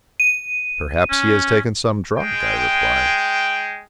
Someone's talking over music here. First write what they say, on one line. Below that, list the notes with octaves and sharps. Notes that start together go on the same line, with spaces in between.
"Perhaps he has taken some drug," I replied.
D#7
C#4
G#3 G5